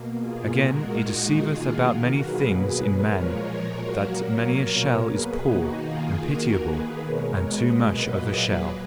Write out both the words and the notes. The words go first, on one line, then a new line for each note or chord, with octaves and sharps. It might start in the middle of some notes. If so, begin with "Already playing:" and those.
Again, it deceiveth about many things in man, that many a shell is poor and pitiable, and too much of a shell.
Already playing: B2 A#3
F4 G#4
A#2 G#3 F#4 A#4
D#4 F#4
D#3 A#3 F4 G#4
F#4 A#4
B2 F#3 A#3 G#4 B4
A#2 F3 G#3 A#4 C#5
A#4 C#5
A#2 F#3 A#3 F#4 A#4
A#4 C#5
B2 A#3 A#4 C#5
G#4 B4
D#3 A#3 D#4 F#4
F4 G#4
D#3 A#3 F#4 A#4
G#4 B4
B2 G#3 A#4 C#5
B4 D#5
A#2 F#3 A#3 B4 D#5
G#4 B4